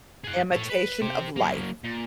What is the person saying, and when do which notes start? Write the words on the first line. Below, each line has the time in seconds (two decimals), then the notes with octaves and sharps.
Imitation of Life.
0.24 G#4 F#5
0.52 A4 C#5
0.70 B4
1.02 G4 C5
1.36 F#3 A#3
1.84 A#2